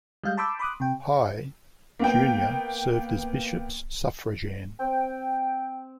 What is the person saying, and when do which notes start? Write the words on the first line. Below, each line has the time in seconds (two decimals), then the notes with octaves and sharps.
High, Junior served as bishops suffragan.
0.24 G3 G#3 F5 G6
0.37 A5 B5 C6 D6 E6 G6
0.59 B5 C6 D6 D#6 F#6
0.80 C3 G5
1.99 A#3 B3 G5
4.79 C4 G5